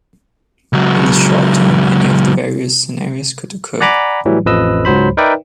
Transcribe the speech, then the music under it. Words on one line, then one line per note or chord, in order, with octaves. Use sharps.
In the short term, any of the various scenarios could occur.
C#2 F#3
D5 F#5 G#5 A#5 B5 D6
A2 E3 F#3 G3
A1 F2 F3 B4 D#5 E6
C#2 G#2 F#3 C5 B5
D#4 A#4 B4 D5 E5 G5